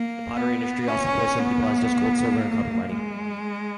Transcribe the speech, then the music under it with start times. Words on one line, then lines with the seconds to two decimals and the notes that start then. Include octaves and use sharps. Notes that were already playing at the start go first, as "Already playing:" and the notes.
The pottery industry also employs some people as does gold, silver and copper mining.
Already playing: A#3
0.37 B3
0.87 C#4
1.38 B3
2.39 A#3
2.90 G#3